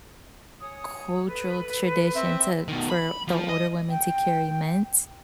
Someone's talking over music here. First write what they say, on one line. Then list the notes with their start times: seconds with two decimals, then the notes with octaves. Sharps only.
cultural tradition to for the older women to carry mints.
0.61 C#5 G#5 D#6
1.27 A4 B4
2.15 C4 E5
2.68 B2 D#3
2.90 B5
3.28 F3
3.49 D#5
3.90 G5